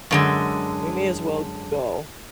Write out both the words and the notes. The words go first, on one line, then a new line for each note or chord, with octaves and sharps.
we may as well go,"
F#2 D3 G#3